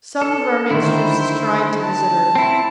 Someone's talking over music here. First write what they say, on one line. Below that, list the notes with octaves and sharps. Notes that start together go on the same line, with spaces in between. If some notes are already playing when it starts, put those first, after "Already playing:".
Some of our ministers has tried to visit her.
A4
D3 D#3 E4 C5
A5
C4 E4